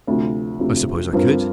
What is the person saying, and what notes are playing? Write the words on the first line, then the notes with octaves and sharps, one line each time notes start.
"I suppose I could."
D2 C3 F3
D2 C3 F3
G2 F3 C4 A#4